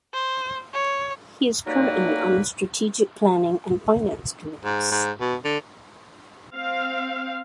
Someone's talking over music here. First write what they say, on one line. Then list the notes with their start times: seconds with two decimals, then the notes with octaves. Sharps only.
He is currently on the Strategic Planning and Finance committees.
0.14 C5
0.74 C#5
1.66 F#3 G3 A#3 D#4 A#4 B4
4.65 G#2
4.91 G#2
5.21 B2
5.45 D3
6.55 C4 F5